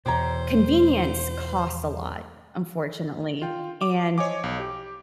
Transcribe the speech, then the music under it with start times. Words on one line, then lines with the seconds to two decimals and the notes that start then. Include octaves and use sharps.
convenience costs a lot, unfortunately, and
0.06 E2 B2 G4 C5 C#5 A#5
3.42 F4 G5
3.81 D6
4.18 C5 C#5 D#5 G#5 D6
4.44 B1
4.60 G4